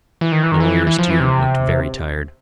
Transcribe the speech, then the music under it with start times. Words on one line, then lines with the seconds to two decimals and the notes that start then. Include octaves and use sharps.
The lawyers, too, looked very tired.
0.21 E3
0.32 D#3
0.43 E3
0.52 D#3
0.60 E3
0.87 E3
0.99 F3
1.10 E3
1.20 C3